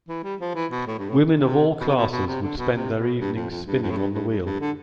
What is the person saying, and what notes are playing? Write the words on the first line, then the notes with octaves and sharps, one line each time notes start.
Women of all classes would spend their evenings spinning on the wheel.
E3
G3
F3
E3
B2
A2
G2
A2
C3
B2
C3
B2
B2
C3
D3
B2
C3
B2
G2
F2
F2
G2
F2
A2
G2
G2
G2
G2
D3